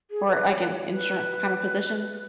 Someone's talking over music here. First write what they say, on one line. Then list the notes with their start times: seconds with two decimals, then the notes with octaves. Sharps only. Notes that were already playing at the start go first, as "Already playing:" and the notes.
for, like, an insurance kinda position.
0.11 G#4
0.27 B4
0.48 C#5
0.60 B4
0.70 C#5
0.92 B4